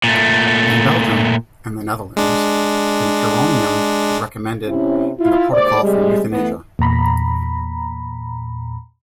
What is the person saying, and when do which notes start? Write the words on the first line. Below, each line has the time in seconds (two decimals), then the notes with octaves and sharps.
In Belgium and the Netherlands, pancuronium is recommended in the protocol for euthanasia.
0.04 A#2 A3
2.17 G#3 D4
4.67 C3 C#4 E4
5.19 E4 F4
5.52 D#2 G#2 C5 D5
5.82 C3 G3 G#3
6.31 E3 A3 B3
6.79 E2 A#2 A#5 B5